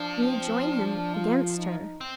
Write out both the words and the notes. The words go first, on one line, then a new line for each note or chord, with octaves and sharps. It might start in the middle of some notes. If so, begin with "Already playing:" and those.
And you join him against her.
Already playing: F3 D4
C4
D4
F4
D#4
C4